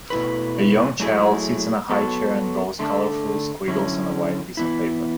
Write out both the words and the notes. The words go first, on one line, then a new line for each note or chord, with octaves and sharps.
A young child sits in a highchair and draws colorful squiggles on a white piece of paper.
B2 A3 E4 B4
F#3 A3 E4 G#4
F#3 B3 F#4 A4
D3 A3 D4 A4
D3 F#3 C#4 E4
E3 B3 E4